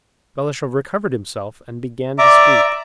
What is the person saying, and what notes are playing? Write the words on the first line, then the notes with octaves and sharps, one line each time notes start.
Balashev recovered himself and began to speak.
D5 E5 A#5 D6